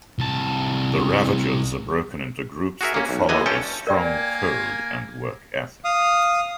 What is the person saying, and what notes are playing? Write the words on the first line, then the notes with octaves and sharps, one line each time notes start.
The Ravagers are broken into groups that follow a strong code and work ethic.
C2 A5
F#4 G#4 A#4 E5
A#3 C#4
B1
D#2 D3 E3 D#5 G#5
G2 C#4 A4 G5
A#3 A#4 D5 G5 G#5
F5 D#6